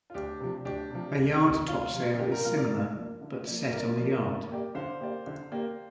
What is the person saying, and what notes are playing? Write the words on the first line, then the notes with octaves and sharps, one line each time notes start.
A yard topsail is similar, but set on a yard.
F4
D2 D4 G4
C3 F3
D2 D4 G4
C3 F3
D2
C3 F3
D2 F4
C3 F3
D3 D4 G4
F4 A#4
F3 A#3 D4 F4 A#4
A#4 D5
D3
F3 A#3 D4
D3
F3 A#3 D4
D3 A#4 D5
F3 A#3 D4
D3
A#3 G4 D5
D3 C5 F5
A#3 G4 D5
D3
A#3 G4 D5